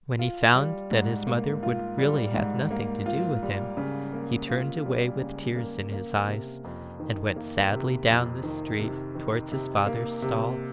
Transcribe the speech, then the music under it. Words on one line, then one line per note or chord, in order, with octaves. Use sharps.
When he found that his mother would really have nothing to do with him he turned away with tears in his eyes, and went sadly down the street towards his father's stall.
F4
G3
G#2
A#3
F4
G3
G#2
A#3
F4
G3
C#3
A#3
F4
G3
C#3
A#3
A#3
C3
F2
D#3
A#3
C3
F2
D#3
C3
D#3
C3
A#3
C3